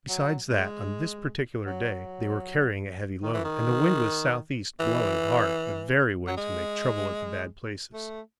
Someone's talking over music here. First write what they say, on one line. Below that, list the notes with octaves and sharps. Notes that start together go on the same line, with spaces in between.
Besides that, on this particular day they were carrying a heavy load, and the wind was southeast, blowing hard--the very wind to make trouble at the bad places.
F#3
G#3
F#3
D#3
E3
D#3
E3
F#3
G#3
A3